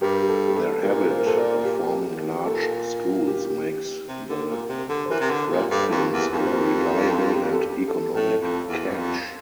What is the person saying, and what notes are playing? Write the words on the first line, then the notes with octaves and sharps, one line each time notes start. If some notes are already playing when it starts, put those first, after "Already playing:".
Their habit of forming large schools makes the threadfins a reliable and economic catch.
G2 G4 A#4
G4
A4
G4
A4
A#2 G4 A#4
C5
A#4
A4 C5
A#4 D5
G4
G4
A#2 A4
G4
C3
D3
A#2
C3
D3 A4
C5
E3 G4 A#4
C3
D3 A4
A#2 G4
G2 A4
F2
G4 A#4
E2
F2
C5
G4 A#4
A4
G4
A4
G4
A4
A2 A4
F2
E2
G2
F2